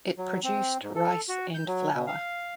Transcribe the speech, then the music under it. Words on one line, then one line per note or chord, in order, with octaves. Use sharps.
It produced rice and flour.
F#3
C4
G#2
A4
F#4
G6
F#3
B2
F5